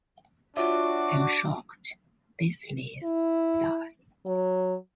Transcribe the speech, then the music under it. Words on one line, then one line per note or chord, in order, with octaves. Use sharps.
I'm shocked Baselitz does.
D4 F4 F#4 C#5 E5 D6
E4
F#3